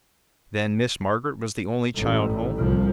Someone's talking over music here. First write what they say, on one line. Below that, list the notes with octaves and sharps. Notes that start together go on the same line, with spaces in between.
"Then Miss Margaret was the only child home?"
A1 A2
C2 F3